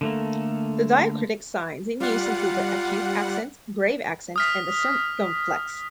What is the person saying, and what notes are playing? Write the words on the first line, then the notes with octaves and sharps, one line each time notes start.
The diacritic signs in use include the acute accent, grave accent and the circumflex.
D3 A3 A#3
G3 F4 F#5
D#6 F6 B6